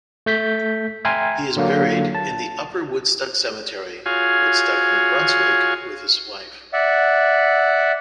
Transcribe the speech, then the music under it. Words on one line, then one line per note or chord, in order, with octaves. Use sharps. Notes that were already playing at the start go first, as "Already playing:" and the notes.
He is buried in the Upper Woodstock Cemetery, Woodstock, New Brunswick with his wife.
A3 G6 B6
E5 G5 G#5 A#5 C6 F6
D3 F#3 A#3 F5
A5
F4 F#4 G#4 C#5 F5 G#5
D5 E5 F#5